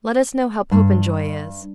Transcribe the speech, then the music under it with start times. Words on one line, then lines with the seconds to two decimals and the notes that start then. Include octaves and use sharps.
"Let us know how Popenjoy is."
0.71 G2